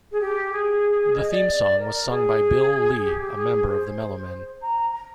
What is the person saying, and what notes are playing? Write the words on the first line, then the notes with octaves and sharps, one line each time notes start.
The theme song was sung by Bill Lee, a member of the Mellomen.
G#4
G4
G#4
D#5
D5
A#4
G#4
G4
G4
G#4
C5
A#5
A#5